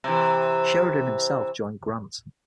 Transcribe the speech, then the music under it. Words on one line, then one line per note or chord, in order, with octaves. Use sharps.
Sheridan himself joined Grant.
C3 E3